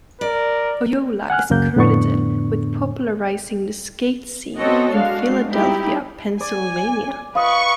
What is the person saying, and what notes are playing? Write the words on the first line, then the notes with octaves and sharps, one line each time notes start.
Oyola is credited with popularizing the skate scene in Philadelphia, Pennsylvania.
A#4 D5
F#5 G#5 F6 F#6
C#2 F#2 C#3 A#3 A#4 G6
F2 A2 D3 B3 D4 C#6
B3 C4 F#4 A4 C#5 D#5
G#3 D4 F#4 F5
G3 D#4 E4 G4
D5 G#5
F4 B4 D#5 C#6